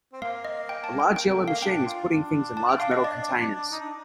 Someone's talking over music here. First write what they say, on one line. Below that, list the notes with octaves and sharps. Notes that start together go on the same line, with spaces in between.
A large yellow machine is putting things in large metal containers.
C4
A#3 F5
D#5
G5
A5
G5
G5
A3 G5
A#3 F5
D4 G5
F4
D4
A5
G5
F5
D#5
D5
D#4
D4